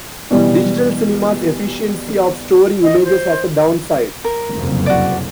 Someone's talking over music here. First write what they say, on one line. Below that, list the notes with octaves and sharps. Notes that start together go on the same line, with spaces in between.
Digital cinemas' efficiency of storing images has a downside.
B2 E3 G3
D#5
C5
A#4
F#1 C2 F2
F#4 D5